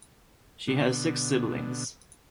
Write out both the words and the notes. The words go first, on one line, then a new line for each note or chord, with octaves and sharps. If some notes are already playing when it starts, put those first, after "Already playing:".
She has six siblings.
B2 D3